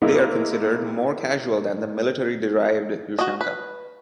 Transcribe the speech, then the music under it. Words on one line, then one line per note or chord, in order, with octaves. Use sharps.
They are considered more casual than the military-derived ushanka.
G#3 A#3 B3 D#4 E4
F#4 D#5
B4